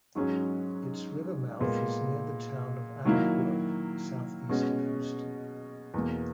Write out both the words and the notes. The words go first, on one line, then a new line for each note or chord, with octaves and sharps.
Its river mouth is near the town of Anahuac, southeast of Houston.
G#2 F#3 C#4 G#4
A#2 G#3 B3
D#3 F#3 A#3 E4
B2 G#3 C#4 F#4
E2 B2 A#3